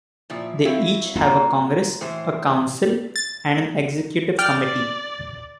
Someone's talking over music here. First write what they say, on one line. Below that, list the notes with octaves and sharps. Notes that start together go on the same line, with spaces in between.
They each have a congress, a council, and an executive committee.
A#2 F3 E4
F#3 C4 E4 E5 F5
F#3 A#3 F4 F#4 A#5
A2 E3 C5
A6
D5 G5 F6